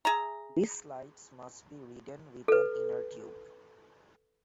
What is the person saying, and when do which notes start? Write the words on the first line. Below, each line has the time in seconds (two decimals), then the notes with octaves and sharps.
These slides must be ridden with an inner tube.
0.05 G#4 E5 A#5
2.48 A4 B4